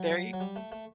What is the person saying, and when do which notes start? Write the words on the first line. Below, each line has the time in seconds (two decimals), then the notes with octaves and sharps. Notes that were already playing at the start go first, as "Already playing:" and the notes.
There you
Already playing: F#3
0.33 F#3
0.40 G3
0.56 A3
0.72 A3